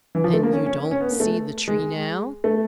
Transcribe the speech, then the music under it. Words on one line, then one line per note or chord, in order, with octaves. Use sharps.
"And you don't see the tree now?"
E3
F3
A3
A#3
C#4
C#4
C#4
B3
A#3
A3
G#3
A3